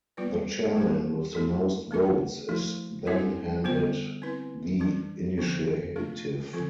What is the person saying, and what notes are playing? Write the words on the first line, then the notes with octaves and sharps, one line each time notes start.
The chairman with the most votes is then handed the initiative.
G3 B3 F4 B4 D5
G3 C4 F4 A4 C5
A3 E4 A4
A3 D4 G4 B4
F3 A3 E4
G3 C4 E4 A4 C5
D3 G3 B3 F4 C5
C4 E4 B4
E3 G3 D4
D3 F3 B3 D4
A3 D4 F4
D3 F3 C4 F4 A4